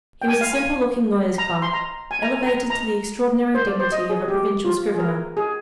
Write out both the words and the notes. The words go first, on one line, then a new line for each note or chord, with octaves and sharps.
He was a simple-looking lawyer's clerk, elevated to the extraordinary dignity of a provincial scrivener.
G5
G#5
F5
G#5
A#5
C6
A#5
G#5
A#5
G#5
A#5
A#5
C5
D5
C5
D#5
G#4
G4
F4
G#4
A#4
G#4